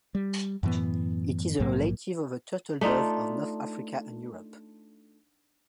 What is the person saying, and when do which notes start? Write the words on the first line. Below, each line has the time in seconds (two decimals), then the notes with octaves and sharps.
It is a relative of the turtledove of North Africa and Europe.
0.15 G3
0.63 F#2 A2 E3 B3
1.60 A#1 G#2 F#3 A#3
2.81 A3 D4 D#4 F4